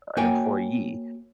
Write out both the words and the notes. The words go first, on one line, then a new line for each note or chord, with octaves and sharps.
an employee,
A#3 F#4 C#5 G5 G#5